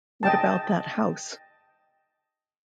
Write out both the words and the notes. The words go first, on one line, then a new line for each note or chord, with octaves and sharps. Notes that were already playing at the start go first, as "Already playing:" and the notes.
What about that House?
D#5 G5 A5